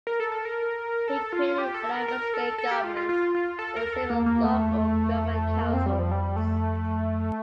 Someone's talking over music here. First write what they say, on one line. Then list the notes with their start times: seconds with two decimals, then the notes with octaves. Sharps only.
He created eleven state governments and several local government councils.
0.07 A#4
0.20 A4
0.32 A4
0.45 A#4
1.08 A4
1.33 F4
1.58 G4
1.74 A4
1.91 A#4
2.08 A#4
2.34 A4
2.58 A4
2.71 G4
2.84 F4
2.97 F4
3.09 F4
3.35 F4
3.59 A4
3.76 A#4
3.93 A4
4.10 A#3
4.26 A#3
4.44 A3
5.61 A#3
5.73 C4
5.86 G3
5.99 F3
6.11 G3
6.36 A3